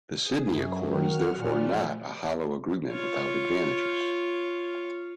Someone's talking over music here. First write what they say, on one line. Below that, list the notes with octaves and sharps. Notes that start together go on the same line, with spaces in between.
The Sydney Accord is therefore not a hollow agreement without advantages.
G#4
F#2 F#3
D#3 F#4 F#5 F6
A#2 F3 A3
F4 C#5